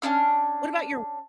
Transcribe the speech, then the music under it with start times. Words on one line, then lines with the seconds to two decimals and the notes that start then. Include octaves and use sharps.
What about your
0.02 C#4 D4 E4 F6